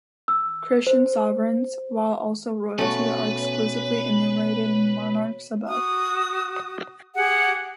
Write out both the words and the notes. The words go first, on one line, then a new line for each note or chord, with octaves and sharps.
Christian sovereigns, while also "royalty", are exclusively enumerated in "Monarchs" above.
E6
C5
B2 A3 C#4 F#4 B4 C#5
F#4 D#6
G4 G#4 F#5